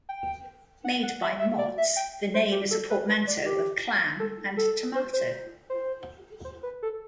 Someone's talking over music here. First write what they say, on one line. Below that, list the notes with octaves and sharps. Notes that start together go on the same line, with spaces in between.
Made by Mott's, the name is a portmanteau of "clam" and "tomato".
G5
F#5
F#5
E5
E5
D5
E5
G5
C5
G4
A4
B4
B4
D5
G4
A4
A4
C5
C5
C5
C5
B4
A4